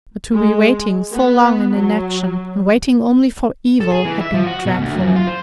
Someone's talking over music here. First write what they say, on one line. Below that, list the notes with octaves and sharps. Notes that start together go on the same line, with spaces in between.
But to be waiting so long in inaction, and waiting only for evil, had been dreadful.
G#3
B3
F#3
A4
G#4
E3
E5
F3
F#4
B2
D2
F#2
F4
C5